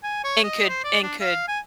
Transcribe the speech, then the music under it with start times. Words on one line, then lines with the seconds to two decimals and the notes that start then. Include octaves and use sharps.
could and could
0.03 G#5
0.24 C#5
0.44 D#5
0.69 C5
0.84 D5
1.03 D4
1.21 F5
1.48 G#5